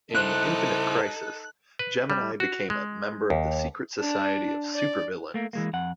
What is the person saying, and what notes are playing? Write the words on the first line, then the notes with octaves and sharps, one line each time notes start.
In "Infinite Crisis", Gemini became a member of the Secret Society of Super Villains.
D#4 E4 A4 C5 F#6
B4
G3
F#4
G#3
D#2
D4
D5
A3 A#3
E3 G#3 A#3
F2 F#5